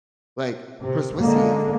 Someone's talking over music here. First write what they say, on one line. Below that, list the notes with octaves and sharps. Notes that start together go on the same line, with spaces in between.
like, Christmas Eve,
C3
D3 G#3 A#3